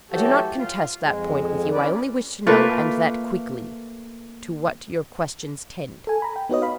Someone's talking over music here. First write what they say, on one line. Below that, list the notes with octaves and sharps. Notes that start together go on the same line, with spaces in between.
"I do not contest that point with you; I only wish to know, and that quickly, to what your questions tend?"
E3 F#3 A3 F#4 G4 A4
F4
F2 G#3
E3 C#4 B4 D5
A3 A#3 F4 B4
A4 G#5
A#5 B5
G5
B3 D#4 F#4 B4 C#5 D#5
F5 B5